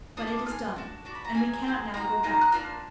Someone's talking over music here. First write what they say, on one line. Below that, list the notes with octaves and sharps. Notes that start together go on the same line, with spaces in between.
But it is done, and we cannot now go back.
D4 F4 G#4 D#6
D6
D#6
D4 F4 G#4 F6
D4 F#4
D4 F#4 D6
B5
A#5
A#3 F4 G#4 G#5
A#3 F4 G#4
A#3 D#4 F#4 A#5
A#3 D#4 F#4
F#6
A#3 D4 F4 F6